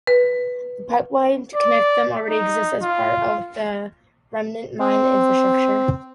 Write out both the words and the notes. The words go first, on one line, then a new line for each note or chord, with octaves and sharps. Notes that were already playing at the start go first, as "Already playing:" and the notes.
The pipeline to connect them already exists as part of the remnant mine infrastructure.
B4
D5
D#4
F4
C4